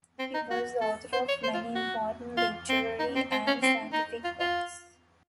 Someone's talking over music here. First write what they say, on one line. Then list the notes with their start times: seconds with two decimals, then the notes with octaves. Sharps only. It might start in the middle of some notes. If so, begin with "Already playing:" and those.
He was the author of many important literary and scientific works.
0.19 C4
0.35 D#4
0.51 F#4
0.81 A4
1.13 C5
1.29 C#5
1.44 C5
1.54 F4
1.75 F#4
2.38 F4
2.70 C4
2.99 D#4
3.16 C4
3.32 C4
3.47 C#4
3.63 C4
3.93 D#4
4.24 F4
4.40 F4